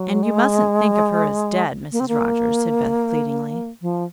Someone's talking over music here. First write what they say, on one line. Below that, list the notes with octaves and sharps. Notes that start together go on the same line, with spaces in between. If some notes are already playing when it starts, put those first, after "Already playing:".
"And you mustn't think of her as dead, Mrs. Rogers," said Beth, pleadingly.
Already playing: F#3
G#3
A#3
C4
A#3
F3